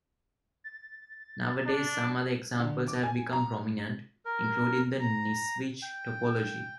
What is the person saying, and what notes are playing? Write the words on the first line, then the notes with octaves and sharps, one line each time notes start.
Nowadays some other examples have become prominent, including the Nisnevich topology.
A6
D4
D3
D6
G#5
A#5
A#4
A#5
G5